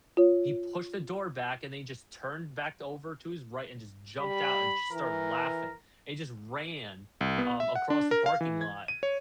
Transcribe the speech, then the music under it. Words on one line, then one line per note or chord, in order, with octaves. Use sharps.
he pushed the door back, and then he just turned back over to his right and just jumped out and just started laughing, and he just ran, um, across the parking lot.
F4 C#5
G3 B5
E3 A#4
C2
B3
E5
F#5
D4
A#4
F5
E3
G#6
D#7
C#5